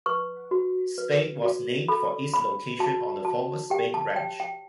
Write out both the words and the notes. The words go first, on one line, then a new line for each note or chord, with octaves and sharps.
Spade was named for its location on the former Spade Ranch.
B4 C#6
F#4
B4
F#4
A4 B5
C#5 B5
F#4 A5
F#4 A5
G4 G5
A5
C#5 G5
G5